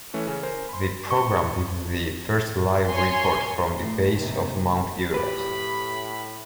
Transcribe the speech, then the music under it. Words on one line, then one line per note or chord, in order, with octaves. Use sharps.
The program did the first live report from the base of Mount Everest.
E3 A3 C#4
C#3 C#4
A#4 C5 G#5
B5 C6
C#6
C#5 G#5 C6
A2
D#2 C3
A2 G4 B4 B5